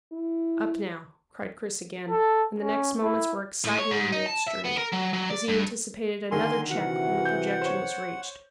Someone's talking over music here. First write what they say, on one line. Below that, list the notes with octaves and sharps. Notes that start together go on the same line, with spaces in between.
"Up now," cried Chris again, and the next moments were exciting in the extreme, as he anticipated another check when the projection was reached.
E4
A4
C#4
E4
A2
C#5
G#2
D#4
A5
E5
B3
A#4
F#3
F#3
D5
G2
D3 D#3 A#3 G#5 C6
C3 E3 F#4 F#5
G6
C5 C#5